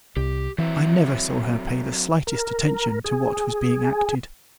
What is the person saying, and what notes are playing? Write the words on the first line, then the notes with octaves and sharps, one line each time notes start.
I never saw her pay the slightest attention to what was being acted.
C2 G4
E3 F#3 C4 E5
A#4
G#4